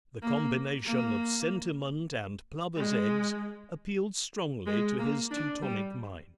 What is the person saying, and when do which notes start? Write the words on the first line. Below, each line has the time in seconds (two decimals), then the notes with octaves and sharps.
The combination of sentiment and plovers' eggs appealed strongly to his Teutonic mind.
0.22 A#3
0.86 A#3
2.77 G#3
4.66 G#3
4.99 A#3
5.31 D4
5.62 G3